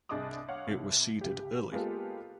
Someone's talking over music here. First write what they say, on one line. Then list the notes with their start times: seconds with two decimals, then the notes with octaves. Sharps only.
It was seeded early.
0.09 C2 D4 G#4 D#5 D6 D#6
0.48 C#5 F5 F#5
0.67 C2
1.21 C#2 G4
1.72 G#3 A#3 B3 F4 G4 A4